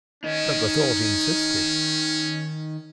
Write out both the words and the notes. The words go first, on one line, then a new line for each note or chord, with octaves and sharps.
But the thought insisted.
D#3 C#4 D#4